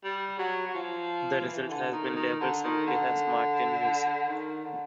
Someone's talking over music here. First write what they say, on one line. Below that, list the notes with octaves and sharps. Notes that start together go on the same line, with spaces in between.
The result has been labeled simply as Martin Music.
G3
F#3
F#3
F3
E3
D3
D#3
D#3
D3
D#3
D3
D#3
D3